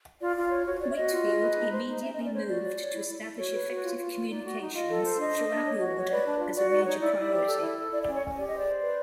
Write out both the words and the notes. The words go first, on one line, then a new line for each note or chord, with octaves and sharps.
Whitfield immediately moved to establish effective communications throughout the order as a major priority.
F4 D5
F4
C#5
F#4 C#5
C#5 D5
E5
F#4 D#5
F4
G#4
B4
D#4
C5
D#4
C#4 E5
D#5
C#4
D5
C5 C#5
F#4 D5
C#5
C#5
E4
E4
E4
F#4 C#5
B4
F#4
F4
F4
F4
D#4 D5
F#4
D#4
F4 D#5
A4
C5
D4 D#5
D4
D4
C#5
F#4
C#5
B4 D5
D4
F4
F#4 D5
D#4 D5
D#4 C#5
E4 D5
E4
G4
A4
E4
A4
E4 D5
D5
C#4
C#5
C#4
G4 D5
C5 D#5
D5
C5
B4